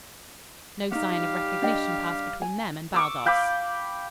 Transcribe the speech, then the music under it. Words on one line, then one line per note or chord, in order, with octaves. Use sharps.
No sign of recognition passed between them and Baldos.
G3 C#4 D#4 G4 F5
D4 D#5 G5
G#5
C#6 D6 E6
F5 G5 B5 D6